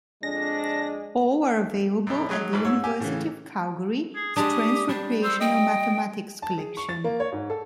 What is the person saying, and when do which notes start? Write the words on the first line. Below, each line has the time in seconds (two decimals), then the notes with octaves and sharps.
All are available at the University of Calgary, Strens Recreational Mathematics Collection.
0.23 F2 G#3 D4 A#6
2.07 F#2 B2
2.29 F#3 G#3 G#4
2.53 A#1 G#2
2.65 G#2 C#5 E6
2.84 G4 G#5
3.00 A2 C#3 E3
4.16 G#4
4.36 G#3 D4 G4 D#6
4.89 G3 D4
5.23 C5 E6
5.40 D#5 G5
6.42 A5
6.58 G#4
6.77 C#6
6.89 A6
7.04 A#3
7.20 C#5
7.32 G#2
7.50 A4